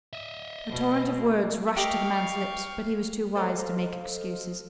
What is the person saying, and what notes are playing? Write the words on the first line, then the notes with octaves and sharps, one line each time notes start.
A torrent of words rushed to the man's lips, but he was too wise to make excuses.
D#5 E5
B2
G4 A#4 D#5 F5 G5 C#6
A4 C5 D#5 F5